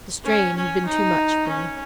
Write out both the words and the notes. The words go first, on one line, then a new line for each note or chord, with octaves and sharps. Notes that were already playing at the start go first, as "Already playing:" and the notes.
The strain had been too much for me.
C#4
C#4
D#4
C#4